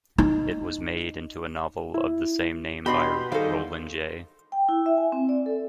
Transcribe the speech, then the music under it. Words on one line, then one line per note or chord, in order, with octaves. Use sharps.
It was made into a novel of the same name by Roland J.
D#4
E4
B2 B3 D4 G4 D#5 B5 C6
D#3 G3 D#4 G#4 A4 C5 F5
G5
E4
E5
G#5
C4
D5
A4